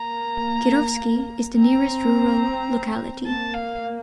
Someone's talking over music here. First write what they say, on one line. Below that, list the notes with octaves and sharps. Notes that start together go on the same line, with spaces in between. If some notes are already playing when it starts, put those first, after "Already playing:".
Kirovsky is the nearest rural locality.
Already playing: A#3 A#5
C4 A#5
A#3 A5
F5